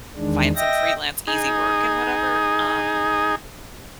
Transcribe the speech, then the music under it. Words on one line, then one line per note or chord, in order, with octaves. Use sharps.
find some freelance easy work and whatever. Um
E2 D#3 G#3 D4
D#5 E5 G5 A#6
D#4 G#4